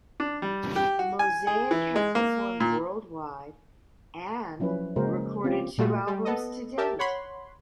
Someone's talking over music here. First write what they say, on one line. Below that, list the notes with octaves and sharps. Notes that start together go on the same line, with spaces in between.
Mozaik have performed worldwide and recorded two albums to date.
D4
G3
G4
F#4
G#5
G#4
E3
G#3
A#3
A#2
F3 F#3 C#4 E4 B4
C#3 G#3 A#3 F#4 A#4 C5
C4 C#4 F4 G4
A#2 G3 A3 F4 F#4
G3
B3 A4 D#5
G4 A#4 E5 A5
C#5 F#5 B5 C6